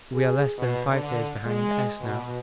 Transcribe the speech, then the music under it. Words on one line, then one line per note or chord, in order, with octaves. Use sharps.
We are less than five days behind S. now.
G#4
B2
D3
G#3
B2